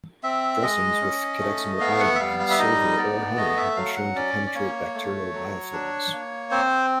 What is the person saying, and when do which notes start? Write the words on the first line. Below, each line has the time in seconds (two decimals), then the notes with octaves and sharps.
Dressings with cadexomer iodine, silver, or honey have been shown to penetrate bacterial biofilms.
0.23 C4 E5
0.63 G#3 D#5
1.02 C#4
1.41 A3
1.80 B3 F5
2.00 F#5
2.15 E5
2.19 G3 F5
2.39 F5
2.50 E5
2.58 D#4 D#5
2.97 B3 D5
3.37 A3 D#5
3.57 E5
3.76 F#3 F5
3.96 F#5
4.16 C#4 D5
4.47 D5
4.55 A#3 C#5
4.94 A3
5.34 F#3
5.73 D4
6.13 A#3
6.51 C4 C5